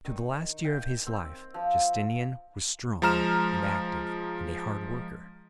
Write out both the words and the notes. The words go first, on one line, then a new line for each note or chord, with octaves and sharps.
To the last year of his life Justinian was strong and active and a hard worker.
D#3
G5
C4
F3
F3 G#3 A#5 F6 E7